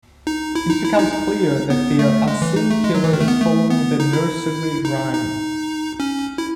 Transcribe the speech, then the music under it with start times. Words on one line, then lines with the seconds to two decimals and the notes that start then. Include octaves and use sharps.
It becomes clear that their unseen killer is following the nursery rhyme.
0.27 D#4
0.55 E4
0.70 D#4
0.84 E4
0.99 D#4
1.12 D#4
1.70 B3
1.99 A3
2.28 G#3
2.42 E3
2.56 D#4
2.70 A3
2.84 G#3
2.95 F#3
3.04 E3
3.13 D#3
3.20 A3
3.28 B3
3.41 A3
3.70 B3
4.00 D#4
4.13 E4
4.85 D#4
5.14 D#4
6.00 C#4
6.38 E4